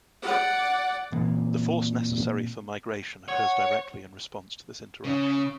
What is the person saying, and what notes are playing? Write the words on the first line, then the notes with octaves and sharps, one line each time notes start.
The force necessary for migration occurs directly in response to this interaction.
D5 F#5
A#2 E3 A#3 C4
C#5 F#5
C#3